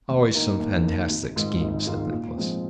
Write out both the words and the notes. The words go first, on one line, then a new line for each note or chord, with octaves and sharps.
"Always some fantastic schemes," said Nicholas.
D#2
D#3 A#3 D#4
D#2
D#3 A#3 D#4
G#1
G#2 D#3 G#3 F4
G#1
G#2 D#3 G#3 F4
A#2
F3 G#3 C4